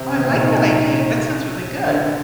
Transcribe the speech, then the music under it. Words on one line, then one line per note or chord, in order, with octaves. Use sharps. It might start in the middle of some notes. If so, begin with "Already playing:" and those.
Oh, I like that idea. That sounds really good.
Already playing: C3
C3
A#2
C3
D#3
D3